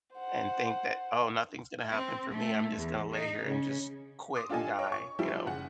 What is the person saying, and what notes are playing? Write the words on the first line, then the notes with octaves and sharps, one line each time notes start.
and think that, "Oh, nothing's gonna happen for me, I'm just gonna lay here and just quit and die," you know?
C5 F#5
C4
A3
E2
D#4
C#3
C6 D6 D#6
D4 F4 G4 A4 D#5 G#5
C#5 D#5
C#6
F3 G3 E4
F#1 G#4 F#5